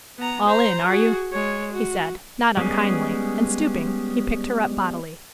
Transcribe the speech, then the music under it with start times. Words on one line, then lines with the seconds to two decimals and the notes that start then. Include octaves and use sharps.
"All in, are you?" he said, not unkindly, and, stooping, he picked her up bodily.
0.19 B3 A#5
0.47 C5 A#5
0.87 F#4 G#4
1.32 G#3 C#5
1.73 F#4
2.57 G3 G#3 B3 C#4 G#4